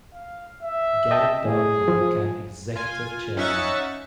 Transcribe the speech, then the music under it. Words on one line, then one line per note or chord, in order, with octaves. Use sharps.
Gary Dartnall became executive chairman.
F5
E5
D#5 G5 A5
A2 G#4
F3
F4 G#5
C#4 D#4 E5 F#5 C#6 A6